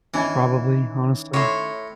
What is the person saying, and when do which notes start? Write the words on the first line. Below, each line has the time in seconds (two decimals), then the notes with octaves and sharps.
Probably, honestly.
0.14 D#3 E3 C#4 G#5
1.34 A2 C#5 E5 C6